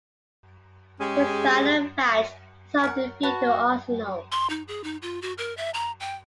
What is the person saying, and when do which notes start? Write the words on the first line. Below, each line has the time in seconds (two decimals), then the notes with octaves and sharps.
His final match was a home defeat to Arsenal.
1.00 G#3 C#4 G4 G#4
2.84 A#4 C#5 F#5
3.23 F#4 B4 A5
4.32 C6
4.50 D#4
4.68 G#4
4.84 D#4
5.02 F4
5.22 F#4
5.38 A#4
5.57 E5
5.74 A#5
6.00 G5